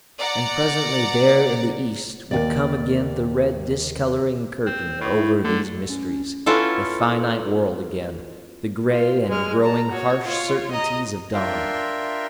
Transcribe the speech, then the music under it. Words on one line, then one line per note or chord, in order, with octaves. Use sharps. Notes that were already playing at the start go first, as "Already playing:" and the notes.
And presently, there in the east, would come again the red discoloring curtain over these mysteries, the finite world again, the gray and growing harsh certainties of dawn.
D5 F#5 A#5
D#2 D5
C4
A2
E4
D3 A3
C#4
B3 C#4 E4 F4 A4
F4
G#3 F6
A5 A#5
F#4 C#5
F4 C#5
D#5 A#5
D4 F4 A#4 E5 G5 C6